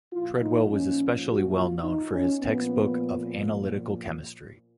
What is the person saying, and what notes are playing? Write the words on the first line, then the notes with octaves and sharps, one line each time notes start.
Treadwell was especially well known for his textbook of analytical chemistry.
A#2 F3 F4
D#4
C#4
F#4
F4
D#4
C#4
A#2 F3 B3